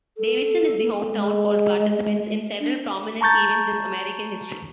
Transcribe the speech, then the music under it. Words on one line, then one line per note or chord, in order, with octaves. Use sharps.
Davison is the hometown for participants in several prominent events in American history.
A4
G#3
D4
A5 A#5 C#6 G6 A6